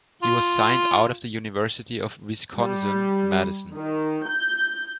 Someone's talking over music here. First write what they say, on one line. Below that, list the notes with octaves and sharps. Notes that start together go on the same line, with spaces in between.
He was signed out of the University of Wisconsin-Madison.
F4
G3
D#3
G6